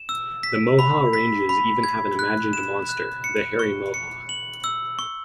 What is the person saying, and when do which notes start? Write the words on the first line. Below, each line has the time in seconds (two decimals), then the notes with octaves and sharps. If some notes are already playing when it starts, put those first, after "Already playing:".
The Moehau Ranges even have an imagined monster, the Hairy Moehau.
Already playing: E7
0.09 E6
0.43 B6
0.79 B5
1.13 B6
1.49 B5
1.83 G#6
2.19 F#6
2.53 E7
2.89 F#6
3.24 C#7
3.59 C#6
3.94 C#7
4.29 F#7
4.64 E6
4.99 C#6